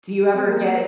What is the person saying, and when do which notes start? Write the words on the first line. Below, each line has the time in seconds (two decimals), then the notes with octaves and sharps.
Do you ever get,
0.33 C4
0.45 A#3